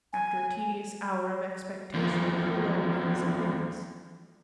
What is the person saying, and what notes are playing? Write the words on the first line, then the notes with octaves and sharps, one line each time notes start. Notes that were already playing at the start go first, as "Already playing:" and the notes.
After a tedious hour of expectation, Pierrot made his appearance.
G#5
E2 F3